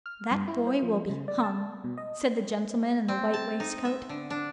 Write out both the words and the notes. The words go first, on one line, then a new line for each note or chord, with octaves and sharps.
'That boy will be hung,' said the gentleman in the white waistcoat.
F6
G2
E4
C5
F3
C#3
D5
A5
B2
D#5
C4
A5
D#4
E5
D3
D4